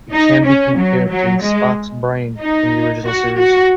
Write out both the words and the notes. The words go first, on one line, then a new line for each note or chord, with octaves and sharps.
It can be compared to "Spock's Brain" in The Original Series.
D#4
C#4
F#3
F#3
G#3
D#4
F#4
F#4